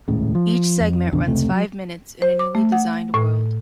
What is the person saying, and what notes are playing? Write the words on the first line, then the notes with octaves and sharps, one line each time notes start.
Each segment runs five minutes in a newly designed world.
D#1 C#2 A2 C#3
F3
F2
A#1 E2 C#3 D4
F1 C#2 C3 A3
F#3
C5
D6
A3
F#5
A2